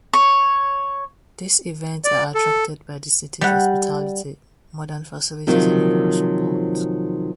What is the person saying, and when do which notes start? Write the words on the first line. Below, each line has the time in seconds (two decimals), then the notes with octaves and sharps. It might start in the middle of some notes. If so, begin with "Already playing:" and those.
These events are attracted by the city's hospitality, modern facilities and overall support.
0.13 C#5
2.05 D5
2.35 A4
3.41 G3 F#5
5.47 C3 D#3 F3 F#3 A#3